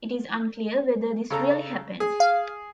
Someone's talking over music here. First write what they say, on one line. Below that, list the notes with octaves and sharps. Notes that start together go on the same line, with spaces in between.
It is unclear whether this really happened.
C#3 A4 A#5
G#4
F5